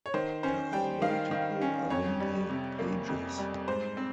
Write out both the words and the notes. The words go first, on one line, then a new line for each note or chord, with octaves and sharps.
There are multiple alumni pages.
C#5
D#3 C5
C#4 C5
G3 G5
D#3 F5
D#3
C#4
F2 C#5
G3
C3
A#3
F2
G3
G#2 C5
C4